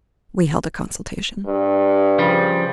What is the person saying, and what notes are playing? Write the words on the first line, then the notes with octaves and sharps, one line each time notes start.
We held a consultation.
G2
C#3 F3 G3